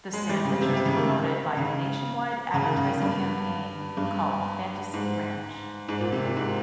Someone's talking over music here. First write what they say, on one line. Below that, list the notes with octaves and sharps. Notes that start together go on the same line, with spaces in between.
The sandwich was promoted by a nationwide advertising campaign called "Fantasy Ranch".
G#3
G3
C#3
C3
C3
C#3
D#3
C#3
C#3
D#3
C#3
G2
G2
G#2
G#2
A#2
C3
A#2
G#2